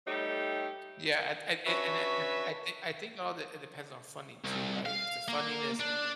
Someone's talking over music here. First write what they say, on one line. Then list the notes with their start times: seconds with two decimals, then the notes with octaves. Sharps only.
Yeah. I I an anc I think I think all that it depends on funding too, right? If the funding is
0.07 G3 A3 D#4 G4 C#5
1.66 C#4 D4 F#4 B4 C#5 E5
4.45 C2
4.86 F5
5.28 A#3
5.80 D4